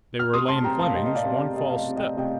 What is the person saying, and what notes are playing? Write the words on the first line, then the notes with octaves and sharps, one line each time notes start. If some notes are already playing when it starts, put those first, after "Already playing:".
They were Lane Fleming's one false step.
F6
C3 C6 D#6
A5 C6
G3 C4 G5 A#5
F5 A5
C3 D#5 G5
D#5
D5 F5
G3 C4
D5
C3 D#5
F5
D#5
G3 C4
D#5 G5
C3 D#5 G5